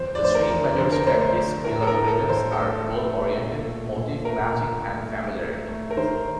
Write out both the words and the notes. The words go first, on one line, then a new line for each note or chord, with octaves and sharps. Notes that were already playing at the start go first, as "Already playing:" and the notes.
The three major strategies Keller presents are goal-oriented, motive matching, and familiarity.
Already playing: F2 C5
D5
A3 C5
A#4
F2
D3 C5
A#4
A3 C5
C5
A3
A2 A#4
A4
A#4
A2
A4
A2
C5
A3 A4
A3
A3
A#2
A3
A#2
A3 A#4
A#2
A3
A3
A3
A3
A#4
D#3 C5